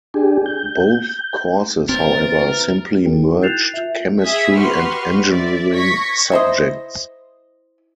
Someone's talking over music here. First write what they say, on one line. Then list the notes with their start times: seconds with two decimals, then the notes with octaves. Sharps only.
Both courses, however, simply merged chemistry and engineering subjects.
0.14 D4 G4 G#4
0.46 G6
1.89 C3 E3 B3 C4 A#4 A6
3.03 D#4 E4 F#4 G#4 A#4 G5
3.42 F#6 G6 A6 C7 E7 F7
3.74 F4 E5
4.21 G#4 E5 D#6 G#6 B6
4.54 F#4 G4 B4 C6 C#6 F6
5.27 D5 E5
5.75 C#6 G#6 A#6 B6 C#7
6.32 E4 C5 D#5